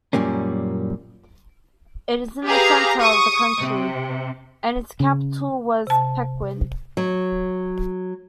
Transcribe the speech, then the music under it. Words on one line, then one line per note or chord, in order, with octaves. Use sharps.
It is in the centre of the country, and its capital was Peqin.
F#2 A#2 G3 A#3 C#4
G4 G#4 B4 F5 A#5
C#6 D#6
C3
C#3
C3 A5
F#3